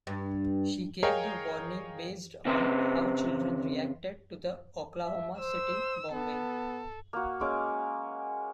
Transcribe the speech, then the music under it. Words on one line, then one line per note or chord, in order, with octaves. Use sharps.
She gave the warning based on how children reacted to the Oklahoma City bombing.
G2
G#4 A#4 C#5 D#5 F5 G5
C#3 C4 B4 C5
E5
C5 E6
B3 A4
A#3 F#4
G#3 A#3 C#4 D6